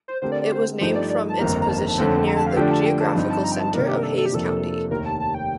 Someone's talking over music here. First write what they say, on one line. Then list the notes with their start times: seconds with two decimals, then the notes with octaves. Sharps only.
It was named from its position near the geographical center of Hayes County.
0.08 C5
0.22 D3 A3 C4 G4 A#4 C5
0.32 D5
0.42 D5
0.52 C5
0.81 G2 F3 A3 D#4 G4 C5
0.96 D5
1.10 D5
1.30 A5
1.39 G1 F2 D#3 A#3 D#4 A#5
1.62 A#5
1.69 A5
1.79 A#5
1.88 A5
1.98 F2 D3 A3 C4
2.27 A#5
2.37 A5
2.47 F5
2.56 D3 F3 A3 D4 G4 G5
2.71 A5
2.86 G5
3.01 A5
3.15 G2 F3 C4 D#4
3.30 A5
3.44 A#5
3.52 G5
3.59 A5
3.73 C3 D#3 A#3 D4 A#4
3.88 G4
3.97 A#4
4.03 A4
4.18 A4
4.26 G4
4.32 F2 C3 F3 A#3 D4 A4
4.90 F1 D#2 D#3 A#4
5.05 A5
5.20 A5
5.34 G5